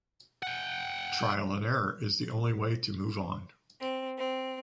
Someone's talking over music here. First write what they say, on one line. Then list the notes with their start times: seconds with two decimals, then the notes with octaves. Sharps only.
Trial and error is the only way to move on.
0.43 F#5 G5
3.81 C4
4.18 C4